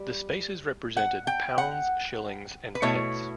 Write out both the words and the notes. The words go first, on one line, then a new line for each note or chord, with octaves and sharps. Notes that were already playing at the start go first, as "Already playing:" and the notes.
The spaces represented pounds, shillings and pence.
Already playing: G3
F#5
G5
F#5
B4
B2 A3 E4 C#5